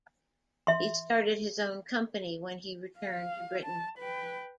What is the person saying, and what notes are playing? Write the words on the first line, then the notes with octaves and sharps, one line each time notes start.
He started his own company when he returned to Britain.
E5 C6
F5
A5
B4 G5